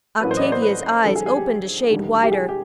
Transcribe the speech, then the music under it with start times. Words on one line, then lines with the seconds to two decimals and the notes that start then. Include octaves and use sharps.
Octavia's eyes opened a shade wider.
0.20 A1 A2 F#3 A#3 B4
0.31 C5
0.37 D#5
0.41 D5
0.52 C5
0.62 B4
1.04 F2 D3 G3 A4
1.16 G#4
1.26 G#4
1.37 G4
1.90 E1 D#2 D3 G3
2.23 G4
2.32 G#4
2.49 G4